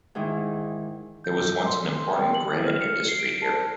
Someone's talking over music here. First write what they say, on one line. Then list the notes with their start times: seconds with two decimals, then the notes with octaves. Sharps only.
There was once an important granite industry here.
0.15 G#2 D#3 E3
1.24 G6
1.66 C6
2.13 G5
2.34 F#7
2.52 E4
2.67 F6
2.81 C#7
3.08 C7
3.19 D7
3.42 A5